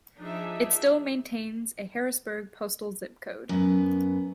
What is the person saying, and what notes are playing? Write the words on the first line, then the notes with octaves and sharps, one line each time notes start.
It still maintains a Harrisburg postal zip code.
F3 D4 D#4 G#4 E5
F#2 B3